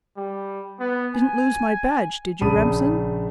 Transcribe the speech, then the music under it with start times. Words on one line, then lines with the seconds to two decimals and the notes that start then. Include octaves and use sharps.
Didn't lose my badge, did you, Remsen?
0.17 G3
0.80 B3
1.16 G#5
2.41 A#1 C#3 A5 B5 D#6 D#7